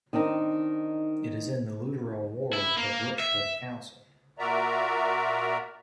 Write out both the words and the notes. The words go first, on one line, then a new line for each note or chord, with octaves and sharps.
It is in the Lutterell ward of Rushchliffe Council.
D#3 C4 D4 D#4
E4
A#3
E5
A#2 F#4 A#4 D5 E5 A#5